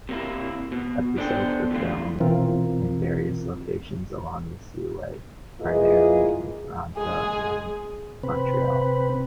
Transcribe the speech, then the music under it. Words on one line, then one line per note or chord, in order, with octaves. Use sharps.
Episodes were filmed in various locations along the seaway, primarily Toronto and Montreal.
C3 A#3 E4
B2
B3 D4 E4 A4 C5 G5
D3 E3 G3 A3 F4
B2 E3 C4 F4 A#4
A#3 E4 F4 G#4 B4 D#5
G#3 G#4
C3 C4 B4